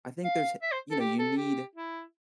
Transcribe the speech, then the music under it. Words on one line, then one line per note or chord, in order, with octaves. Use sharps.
I think there's h you know, you need
F5
E5
C5
A4
G4
A4
G4
E4